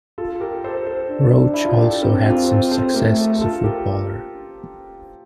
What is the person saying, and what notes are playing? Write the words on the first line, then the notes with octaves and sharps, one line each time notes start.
Roach also had some success as a footballer.
F4 A4
G4 A#4
A4 C5
A4 C5
D4
E4
F4
G4
A4
C4 G4 A#4
F4 A4
A4 C5
A4 C5
A3 G4 A#4
A4 C5
F4 A4
G4 A#4